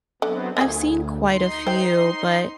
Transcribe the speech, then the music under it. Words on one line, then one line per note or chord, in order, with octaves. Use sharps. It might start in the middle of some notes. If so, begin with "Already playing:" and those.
I've seen quite a few, but,
D3 F#3 B3 C4
D2 D3 F3 G#4
D#4 C6
C5 G5